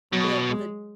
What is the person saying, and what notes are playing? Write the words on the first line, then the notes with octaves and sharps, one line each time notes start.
the the
B2 F#3
G#3